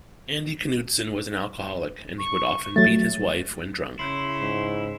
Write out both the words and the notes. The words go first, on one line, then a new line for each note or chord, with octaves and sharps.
Andy Knutson was an alcoholic and he would often beat his wife when drunk.
C#6
F#3 A3 A6
C#3 E4 C6
G#2